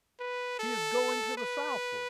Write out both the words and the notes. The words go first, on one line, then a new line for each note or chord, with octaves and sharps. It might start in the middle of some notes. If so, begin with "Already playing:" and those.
"She is going to the southward."
B4
A4
B4